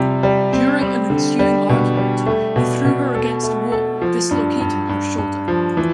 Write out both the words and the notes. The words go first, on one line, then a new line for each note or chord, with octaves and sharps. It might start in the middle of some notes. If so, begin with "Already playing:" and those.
During an ensuing argument, he threw her against a wall, dislocating her shoulder.
Already playing: C3 F3 G3
G3
C4
G3
D3
G3
B2
G3
A3
B2
B2
A4
A3
A4
F3
G2
G2
G2
G2
F3
E3